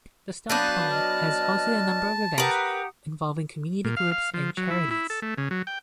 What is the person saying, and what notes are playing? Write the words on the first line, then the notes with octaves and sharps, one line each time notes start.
The Stone Pony has hosted a number of events involving community groups and charities.
F#3 B3 D4 F5 A5 F#6 G6
D#5 F6
G4 A#4 B4 F#5 D#6
A#2
F5
F5
F3
F#3
E4
E4
A4
A3
C#3
F#3
G5